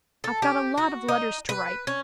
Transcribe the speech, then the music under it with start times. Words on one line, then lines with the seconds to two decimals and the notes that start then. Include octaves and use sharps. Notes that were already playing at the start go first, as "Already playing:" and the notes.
I've got a lot of letters to write.
0.24 A4
0.42 G4
0.78 F#4
1.08 D#4
1.49 B4
1.87 C#4